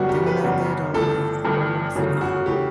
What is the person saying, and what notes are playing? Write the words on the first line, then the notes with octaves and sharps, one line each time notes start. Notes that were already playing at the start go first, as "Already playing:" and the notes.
doing a little East Coast swing,
Already playing: F#2 C#3 G3 B3 F#4
G4
B4
F#2 C#3 G3 B3
G1 G2 E3 A3 A4
G1 G2 E3 A3
G1 F#2 C#3 E3 A3
F#4
C#3 E3 A3 G4